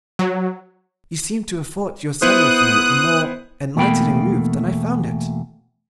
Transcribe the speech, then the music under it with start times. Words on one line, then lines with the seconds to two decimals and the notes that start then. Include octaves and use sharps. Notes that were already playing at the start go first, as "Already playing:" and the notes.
"You seem to have thought your sending for me a more enlightening move than I found it."
0.19 F#3
2.22 B3 E4 C5 D#6 F#6
3.76 E2 B2 A3 A#3 G5 B5